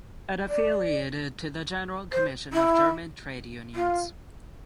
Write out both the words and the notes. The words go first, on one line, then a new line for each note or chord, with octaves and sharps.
It affiliated to the General Commission of German Trade Unions.
D5
C5
E4
F4